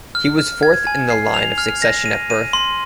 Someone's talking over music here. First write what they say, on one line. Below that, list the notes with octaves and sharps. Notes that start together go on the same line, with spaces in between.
He was fourth in the line of succession at birth.
F6
F6
G#6
G#5
C7
F7
F6
A#6
D#7
D#7
C6